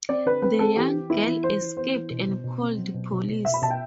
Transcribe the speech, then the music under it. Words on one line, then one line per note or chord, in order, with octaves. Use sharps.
The young girl escaped and called police.
C4 D5
D3 B4
C4 B4
C4 A4
E3 G4
E3
B3 E4
E3
E3 C5
E3
B3 C5
E3
B2
B2
B2
C4
F#3
B2
B2
B2
B2 E5
B5
B2 A5
G5